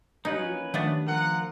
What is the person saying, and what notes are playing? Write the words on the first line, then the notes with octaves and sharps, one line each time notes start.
Mm, mhm.
A#3 C#4 D#4 B4
D#3 A3 B3 D4
F3 A#4 F#5